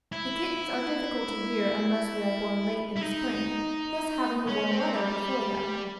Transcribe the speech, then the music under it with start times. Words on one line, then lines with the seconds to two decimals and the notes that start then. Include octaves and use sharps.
The kittens are difficult to rear unless they are born late in the spring, thus having the warm weather before them.
0.12 E4
2.97 E4
3.02 D#4
4.47 C#4
4.71 C4
4.95 G3